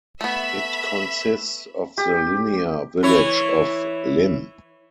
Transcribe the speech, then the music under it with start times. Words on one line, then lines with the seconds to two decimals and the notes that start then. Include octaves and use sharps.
It consists of the linear village of Linn.
0.21 A3 B3 E5 B5
1.98 G4
3.03 E3 E4 C#5